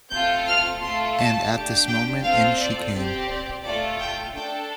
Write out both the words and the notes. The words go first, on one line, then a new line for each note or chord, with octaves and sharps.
And at this moment in she came.
A3 C4 F4 A4 G6
F6
A3 F4 A4 C6
A5
D4 G4
G5
C4 F4 A4 F5
D5
C4 G4
D5
A3 F4 A4 D5
G5
D4 A4 G5